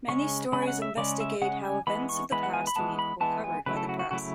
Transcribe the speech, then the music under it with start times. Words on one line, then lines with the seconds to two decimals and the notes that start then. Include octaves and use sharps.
Many stories investigate how events of the past week were covered by the press.
0.08 C#3 G#3 C#4 C#6
0.52 C#3 G#3 C#4 B5
0.62 G#5
0.67 F#5
0.82 E5
0.97 C#3 G#3 C#4 D5
1.20 E5
1.42 C#3 G#3 C#4 F#5
1.65 G#5
1.87 E3 G#3 B3 B5
2.09 C#6
2.32 E3 G#3 B3 B5
2.43 F#5
2.53 G#5
2.67 B5
2.76 E3 G#3 B3 A5
2.99 B5
3.21 E3 G#3 B3 A5
3.44 G#5
3.66 C#3 F#3 A3 E4 B4
3.77 A4
3.89 F#4
3.99 F#4
4.11 C#3 F#3 A3 E4 F#4